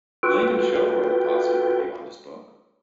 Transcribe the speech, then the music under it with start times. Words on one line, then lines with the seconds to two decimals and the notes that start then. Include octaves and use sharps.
Lincoln Cho wrote a positive review on this book.
0.23 F4 F#4 A4 B4 G5